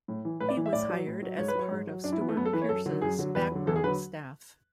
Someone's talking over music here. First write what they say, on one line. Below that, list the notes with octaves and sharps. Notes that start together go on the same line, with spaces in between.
He was hired as part of Stuart Pearce's backroom staff.
A2
E3
A2 B4
D5
E3
E5
A2 D5
F#3
A2
F#3
G#2 C#5
B4
F#3 C#5
G#2
F#3
F#2 D4
E4
E3 B3
A3
F#2 B3
A4
E3 B4
C#5
F#2 A4
D3 F#3
F#2 G#4
D3 F#3
E2 B4
D3 F#3
E2 A4
G#4
D3 F#3 B4